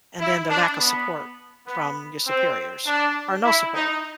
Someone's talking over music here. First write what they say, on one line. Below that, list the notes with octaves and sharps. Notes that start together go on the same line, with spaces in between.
and then the lack of support from your superiors, or no support.
E4
D4
B3
B3
C4
D4
E4
D#4